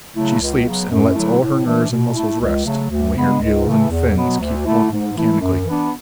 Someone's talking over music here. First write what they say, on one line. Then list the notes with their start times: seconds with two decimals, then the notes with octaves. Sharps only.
She sleeps and lets all her nerves and muscles rest; only her gills and fins keep working mechanically.
0.14 C#3 F#3 A3 E4
0.40 C#2
0.65 C#3 F#3 B3
0.90 F#2
1.15 D3 F#3 A3 E4
1.40 A2
1.65 E3 A3 D4
1.90 B2
2.14 A3 E4
2.40 C#2
2.65 C#3 F#3 A3
2.90 D2
3.15 C#3 G#3 B3 D4
3.40 C#2
3.65 C#3 E3 A3 E4
3.90 E2
4.15 B2 F#3 B3
4.40 D2
4.65 D3 A3 E4
4.91 G#2
5.15 E3 A3 E4
5.40 F#2
5.65 E3 B3 D4